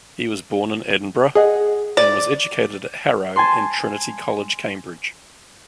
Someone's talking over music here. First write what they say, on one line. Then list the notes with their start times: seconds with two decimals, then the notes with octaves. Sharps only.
He was born in Edinburgh, and was educated at Harrow and Trinity College, Cambridge.
1.35 G#4 D#5 F#5
1.97 D5
3.36 G#5 A5 C6